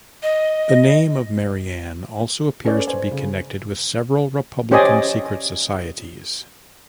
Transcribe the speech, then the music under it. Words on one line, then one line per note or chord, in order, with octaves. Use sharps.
The name of Marianne also appears to be connected with several republican secret societies.
D#5
C#4 A4 B4 C#5 D5
C5 G#5
C#3
C#4 G4 C5 D5 D#5 G#5